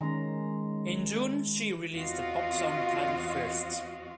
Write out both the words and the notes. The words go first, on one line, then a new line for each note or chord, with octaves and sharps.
In June she released a pop song titled "First".
D#3 G#3 C#4 A#5
E2 C4 F4 F#4 D#5 F5